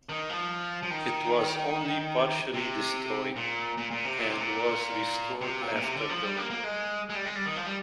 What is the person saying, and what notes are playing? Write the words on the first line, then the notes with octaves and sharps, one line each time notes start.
It was only partially destroyed, and was restored after the war.
D#3
F3
F3
D#3
C3
A#2
A#2
A#2
C3
A#2
C3
A#2
C3
A#2
A#2
C3
D3
F3
G3
A#3
A#3
G#3
G#3
G3
G#3
G3
D#3
F3
G3